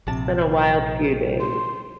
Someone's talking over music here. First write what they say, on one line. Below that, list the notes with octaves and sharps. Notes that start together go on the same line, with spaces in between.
it's been a wild few days.
A#1 C3 A5
C6